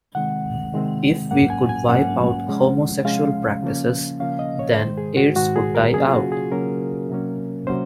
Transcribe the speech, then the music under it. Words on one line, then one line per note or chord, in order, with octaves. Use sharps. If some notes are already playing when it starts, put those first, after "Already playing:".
If we could wipe out homosexual practices, then Aids would die out.
C3 D#3 G#3 C4 F#5
C3 D#3 G#3 C4
G#2 F#3 A#3 C#4 F#5
G#5
G#5
G#2 F#3 A#3 C#4 F#5
C3 F3 G#3 C#4
C3 F3 G#3 C#4 F5
C#3 F3 A#3 C#4
C#3 F3 A#3 C#4 F5
D#5
C#5
G#2 D#3 G#3 C5
G#4
F#4
G#2 D#3 G#3 F#4
G#4
A#4
C#3 F#3 A#3 C#4 G#4
F4
F#4
G#4
C#3 F#3 A#3 C#4 A#4
C3 F#3 A#3 C#4
C3 F#3 A#3 C#4 C5